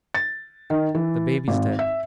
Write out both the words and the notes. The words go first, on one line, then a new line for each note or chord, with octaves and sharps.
The baby's dead.'
A6
D#3
E3
G#1
E5